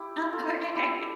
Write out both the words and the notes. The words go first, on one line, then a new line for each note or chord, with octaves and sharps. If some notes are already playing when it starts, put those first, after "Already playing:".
Oh, okay.
Already playing: E4 G4
F4 A4
E4 G4